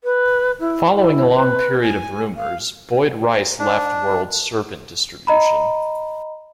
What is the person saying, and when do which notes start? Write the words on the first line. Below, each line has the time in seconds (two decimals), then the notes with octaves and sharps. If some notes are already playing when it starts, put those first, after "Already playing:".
Following a long period of rumours, Boyd Rice left World Serpent Distribution.
0.04 B4
0.59 E4
0.95 E4
1.34 B4
1.81 G#5
2.36 F5
3.59 D4
5.27 D#5 A#5 B5